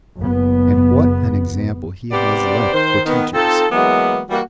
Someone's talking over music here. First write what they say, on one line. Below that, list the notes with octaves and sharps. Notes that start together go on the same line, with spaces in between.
And what an example he has left for teachers.
F#1 B3
C3 B3 G4 C5 D5
D#3 C5
D#3 B3
C4 D#4 F4 A4
E3 F#3 G#3 A#3 B3 F#4
E3 G3 A#3 F#4